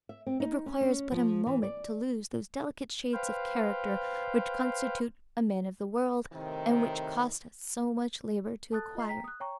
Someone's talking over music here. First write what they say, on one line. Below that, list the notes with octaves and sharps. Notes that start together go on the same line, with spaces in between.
It requires but a moment to lose those delicate shades of character which constitute a man of the world, and which cost us so much labor to acquire.
E5
C4
D#4
C#4
C#4
F3
E3
D5
B4 C5 F5 G5
A2 C3 D#3
A4 A5 D#6 F#6 A6
F4 D#5 A#5 C7
G5 A#5 B6
D#6 F#6
C#5 G5 A#5 C#6